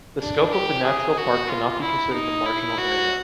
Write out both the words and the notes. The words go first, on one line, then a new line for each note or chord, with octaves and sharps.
The scope of the natural park can not be considered a marginal area.
D4
G4
G#4
F#4
F4
E4
D#4
E4
F#4